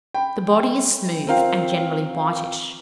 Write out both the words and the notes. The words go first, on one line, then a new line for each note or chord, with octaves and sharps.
The body is smooth, and generally whitish.
G5 B5
C4 F4 A#4 F5 G5